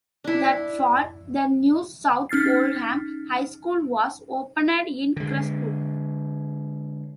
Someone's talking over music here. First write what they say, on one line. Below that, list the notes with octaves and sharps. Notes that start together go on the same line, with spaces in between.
That fall, the new South Oldham High School was opened in Crestwood.
D4 E4
C#4 D#4 F6 A6 C7
D3 G#3